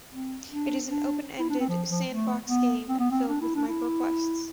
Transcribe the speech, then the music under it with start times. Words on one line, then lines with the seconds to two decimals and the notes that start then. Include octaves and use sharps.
It is an open-ended, sandbox game, filled with "microquests".
0.11 C4
0.51 D4
0.90 D4
1.39 E4
1.50 D4
1.60 C4
1.69 F3
1.89 F3
2.09 A3
2.48 B3
2.89 C4
2.99 B3
3.11 C4
3.28 D4
3.41 E4
3.55 D4
3.68 E4